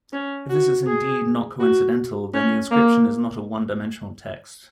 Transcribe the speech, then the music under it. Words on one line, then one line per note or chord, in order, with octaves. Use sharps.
If this is indeed not coincidental then the inscription is not a one-dimensional text.
C#4
F#4
G#4
F#4
C#4
A#3